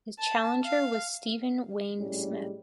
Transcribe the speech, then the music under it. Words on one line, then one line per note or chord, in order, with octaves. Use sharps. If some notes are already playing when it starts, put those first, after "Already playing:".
His challenger was Steven Wayne Smith.
A5
F5
A#1 A2 G3 G#3 C#4